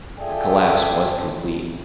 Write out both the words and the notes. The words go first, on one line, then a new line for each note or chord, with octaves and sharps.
The collapse was complete.
F4 G#4 A4 D5 E5 G5